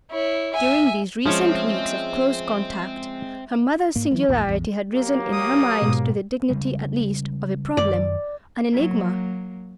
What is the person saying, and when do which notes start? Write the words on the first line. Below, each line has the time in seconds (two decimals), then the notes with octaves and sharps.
During these recent weeks of close contact, her mother's singularity had risen in her mind to the dignity at least of a problem, an enigma.
0.10 E4 C#5
0.54 E5 G#5
1.26 F3 G#3 C4 C#4 C#5 E5
3.96 G#2 A#3
4.11 E3 F#3 A#3
4.29 A#1 E2 A#2
4.46 A1 E2
4.93 F#3 A#3 G4
5.32 D#6
5.82 G#2 B2
6.50 C#3 G3 G#3
7.77 F#2 D#3 D5
8.72 F#3 A#3